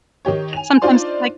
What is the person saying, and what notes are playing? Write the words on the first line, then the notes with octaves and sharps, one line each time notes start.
sometimes, like
D#3 D#4 G4 C#5
G#5 F7
D4 D#4 F4 C5 D5 C6